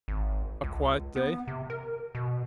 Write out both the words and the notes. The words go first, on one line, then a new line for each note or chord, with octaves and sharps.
A quiet day.
G#1
C#2
B3
C3
A#4
B2